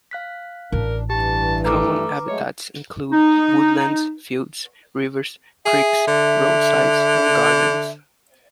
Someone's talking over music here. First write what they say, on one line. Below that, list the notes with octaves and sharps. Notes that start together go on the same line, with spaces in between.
Common habitats include woodlands, fields, rivers, creeks, roadsides, and gardens.
F5 F#6 B6
A1 D4 A#4
G2 E3 G4 A5
A3 B4 A#5 D6
F#3 G#3 A3 C#5
D#4
G#4 E5
D3